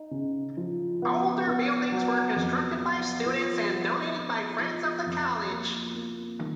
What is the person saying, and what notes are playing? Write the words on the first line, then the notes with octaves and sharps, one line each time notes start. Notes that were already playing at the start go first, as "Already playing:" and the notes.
Older buildings were constructed by students and donated by friends of the College.
Already playing: D#4
C#3
F3
B3
B3
F#3
F2
B3
F3
B3
D#4
F3
F2
A#3
A#3
D#3